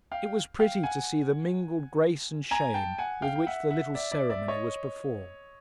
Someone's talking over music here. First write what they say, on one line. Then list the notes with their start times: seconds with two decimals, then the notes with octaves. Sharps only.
It was pretty to see the mingled grace and shame with which the little ceremony was performed.
0.11 F5 G5
0.59 F5 G5
0.83 F#5 G#5
2.51 G#5 A#5
2.74 G5 A5
2.98 F#5 G#5
3.22 F5 G5
3.36 G5
3.46 E5 F#5
3.70 E5 F#5
3.95 D5 E5
4.12 D5 E5
4.30 D5 E5
4.48 C#5 D#5